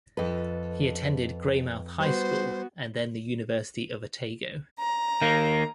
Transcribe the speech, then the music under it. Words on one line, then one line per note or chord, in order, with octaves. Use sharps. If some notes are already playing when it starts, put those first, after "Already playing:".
He attended Greymouth High School and then the University of Otago.
F2 A4 B4 D#5
G3 B3 F#4 B4 C5
A#5
D#3 A#3